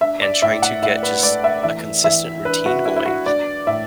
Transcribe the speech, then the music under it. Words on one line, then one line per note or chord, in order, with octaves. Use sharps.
and trying to get just a consistent routine going.
D4 E5
D5
A2 E5
F#5
A2 E5
B4
A3 D5
E5
E3 E5
E3 E5
D4 B4
F#4
D4 E4
E4
F#4
D4 D5
A2 E5